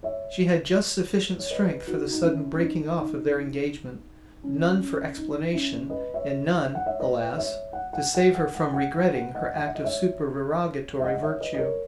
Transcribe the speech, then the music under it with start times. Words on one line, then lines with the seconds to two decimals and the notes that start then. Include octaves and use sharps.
She had just sufficient strength for the sudden breaking off of their engagement, none for explanation, and none, alas! to save her from regretting her act of supererogatory virtue.
0.03 C#5 E5
1.39 C#5
1.51 B4 D#5
1.87 D#4 F#4
2.12 D#4
2.23 C#4 E4
2.53 C#4
2.60 D#4
2.97 D#4
4.44 C#4
4.80 C#4
5.17 D#4
5.53 C#4 E4
5.90 B4 D#5
6.14 C#5 E5
6.64 E5
6.75 F#5
6.86 C#5 E5
7.00 B4 D#5
7.38 C#5 E5
7.73 F#5
7.93 F#5
8.15 F#5
8.35 F#5
8.55 F#5
8.74 F#5
8.94 F#5
9.15 F#5
9.35 D#5 F#5
9.56 F#5
9.67 E5
9.75 D#5
9.85 C#5 E5
10.99 E5
11.04 D#5 F#5
11.14 D#5
11.22 C#5 E5
11.41 B4 D#5
11.54 D#5
11.59 A#4 C#5